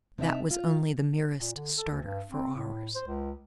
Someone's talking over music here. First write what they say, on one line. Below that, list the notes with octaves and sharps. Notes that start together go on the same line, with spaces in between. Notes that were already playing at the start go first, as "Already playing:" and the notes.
That was only the merest starter for ours.
C3 D4 D#4 E5
F4
A#2
D3
A4
D2
G2
C4
A2
C5
C#2